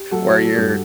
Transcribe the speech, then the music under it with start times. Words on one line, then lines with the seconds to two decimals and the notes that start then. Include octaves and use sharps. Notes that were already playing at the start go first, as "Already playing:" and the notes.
where you're
Already playing: G4
0.11 F#3 A3 F#4 A4
0.45 A4
0.55 G2 G4